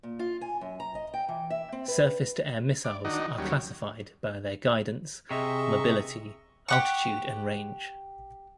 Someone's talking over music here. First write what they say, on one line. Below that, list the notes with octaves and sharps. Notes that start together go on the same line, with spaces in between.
Surface-to-air missiles are classified by their guidance, mobility, altitude and range.
A#2
F4
G#5
F#2
A#5
D#5
G5
E3
E5
C4
B4
D5
D#3 D4 D#4 F#4
D#2 F#3 G3 C#4
C3 G#4 D#5 E5 C#6
G4 F#5 C#6